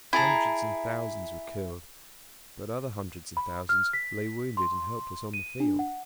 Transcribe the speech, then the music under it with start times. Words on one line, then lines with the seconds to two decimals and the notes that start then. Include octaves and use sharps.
Hundreds and thousands were killed; but other hundreds and thousands lay wounded and helpless on the field.
0.13 E4 G#4 A5 A#5
3.37 B5
3.69 F6
3.93 B6
4.57 C6
5.34 D#7
5.60 D4
5.79 F#5